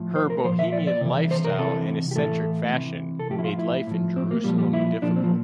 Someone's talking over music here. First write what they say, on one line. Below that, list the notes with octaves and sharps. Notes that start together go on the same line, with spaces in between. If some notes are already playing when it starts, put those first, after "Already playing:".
Her Bohemian lifestyle and eccentric fashion made life in Jerusalem difficult.
Already playing: A2 F3
C5
A#4
A#2 F3 C5
E5
D5
D5
C3 E3
C5
A#4
C3 E3 A4
G4
A2 E3 A4
C3 E3
A4
A2 F3 G4
E4
F4
E4
A2 F3
C4
A#3
A#2 F3 G3
G3
E4
A#2 F3 D4
C4
F3